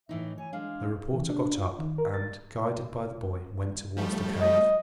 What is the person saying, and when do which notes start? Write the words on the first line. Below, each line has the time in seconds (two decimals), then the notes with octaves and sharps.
The reporter got up, and guided by the boy went towards the cave.
0.09 A2 E3 D#4 E5
0.38 C#5 G#5
0.53 G#3 D4 F5
1.14 E3
1.30 D4
1.57 F4
1.79 D#3
1.98 A#4
2.14 A6
3.97 F3 G3 A3
4.41 D#5